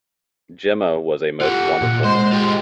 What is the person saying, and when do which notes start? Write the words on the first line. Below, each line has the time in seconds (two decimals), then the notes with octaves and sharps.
Jemma was a most wonderful mimic.
1.41 F4 G4 F#5
1.82 A#2
2.04 G#3 C5
2.32 F4 G4 G#4